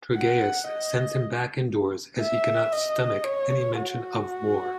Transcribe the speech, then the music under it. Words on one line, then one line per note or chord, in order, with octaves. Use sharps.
Trygaeus sends him back indoors as he cannot stomach any mention of war.
F#5
D#5
E5
D#5
C#5
F#4